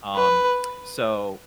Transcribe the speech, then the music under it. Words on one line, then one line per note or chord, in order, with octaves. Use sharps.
Um, so
B4